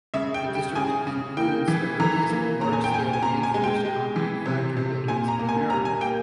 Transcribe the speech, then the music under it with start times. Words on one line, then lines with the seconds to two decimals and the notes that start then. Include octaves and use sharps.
The district includes the earliest large-scale reinforced concrete factory buildings in America.
0.14 C#3 E5
0.34 G5
0.44 G3
0.55 G5
0.75 C#3 G#5
1.07 C#3
1.37 A#3 G5
1.68 E3
2.00 E3 A#5
2.30 A#3
2.61 A#2 A#5
2.73 G#5
2.84 G5
2.91 A#2 G#5
3.13 G#5
3.22 A#2 A#5
3.43 G#5
3.54 G#3
3.64 G5
3.85 G#3
4.16 E3
4.46 C3
4.77 C3
5.08 A#2 G#5
5.28 A#5
5.39 A#3
5.49 G#5
5.70 G3 A#5
5.85 G#5
6.01 A#3 G5